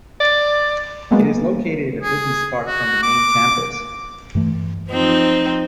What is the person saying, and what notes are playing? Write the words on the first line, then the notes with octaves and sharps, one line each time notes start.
It is located in a business park from the Main Campus.
D5
F#3 G#3 A#3 B3
G#4
F#4
D6
G2 E3 A3
F3 C4 D#4